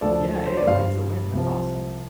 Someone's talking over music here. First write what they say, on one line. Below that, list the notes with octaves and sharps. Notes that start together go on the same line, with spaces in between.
Yeah, hey, a win's a win. That's awesome!
D2 D3 F3 A4 D5
A4
C5
D5
G2 G3 C5 F5
C2 C3 F3